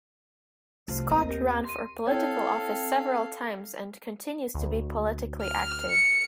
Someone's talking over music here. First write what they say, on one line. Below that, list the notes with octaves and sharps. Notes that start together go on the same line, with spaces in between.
Scott ran for political office several times and continues to be politically active.
C2 A3 F4 C5
D#2 C4 A#4 D#5 A#5
G4 A#4
C6 D#7
C4 E4 A4 C#5 F5 G5 G#6
D2
F6
C#7